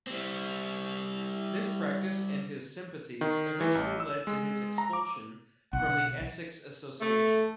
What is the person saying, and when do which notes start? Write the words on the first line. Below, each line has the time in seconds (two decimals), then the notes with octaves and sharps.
This practice and his sympathies eventually led to his expulsion from the Essex Association.
0.07 G3 C4
3.21 D#3
3.61 E3
3.75 A1
4.00 E6
4.27 G#3
4.78 A#5
4.93 D6
5.73 B1 F#5
7.01 A3